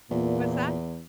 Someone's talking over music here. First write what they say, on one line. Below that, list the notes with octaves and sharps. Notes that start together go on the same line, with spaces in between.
What's that?
E2 A#2